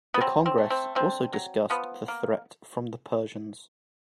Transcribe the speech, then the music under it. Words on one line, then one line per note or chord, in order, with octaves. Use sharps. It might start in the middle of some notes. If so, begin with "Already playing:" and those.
The Congress also discussed the threat from the Persians.
B3
F#3 C4
C4
A3
C4
D3 C4
F#3
F3 B3
A#3